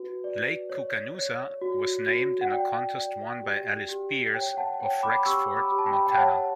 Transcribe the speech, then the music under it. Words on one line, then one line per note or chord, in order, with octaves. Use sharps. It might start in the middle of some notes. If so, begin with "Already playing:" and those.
Lake Koocanusa was named in a contest won by Alice Beers of Rexford, Montana.
Already playing: F#4 B4
D5
C#5
C#5
F#4
F#4
F#5
D5 G5
D5
G4
G4
C#5 G5
F#5 A5
C#5 G5
B5 D6
G4 C#6 E6
B5 D6
G4
A5
G5 B5
G5
C#5 F#5 A5